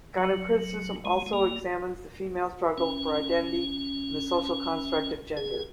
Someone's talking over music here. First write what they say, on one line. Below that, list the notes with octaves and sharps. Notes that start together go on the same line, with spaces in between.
Gynocriticism also examines the female struggle for identity and the social construct of gender.
F#3
G#3
G#3
A#3
C#4
G#4